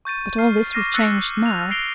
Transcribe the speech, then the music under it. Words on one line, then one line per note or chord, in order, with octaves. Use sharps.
But all this was changed now.
C#6 G6 A6 D#7
F6 C7
C#6 D6 F6 A#6 C7 D#7
E6 F#6 A6 A#6 C#7
F7
A#6 C7 D7 F7 G7